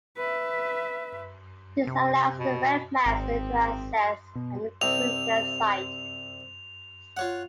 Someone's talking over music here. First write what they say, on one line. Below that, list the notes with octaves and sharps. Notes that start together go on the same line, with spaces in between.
This allows the webmaster to assess and improve their site.
B4 E5
C3
B2
G#1 C4
B2
C2 C3 F7
F4 C#5 F#5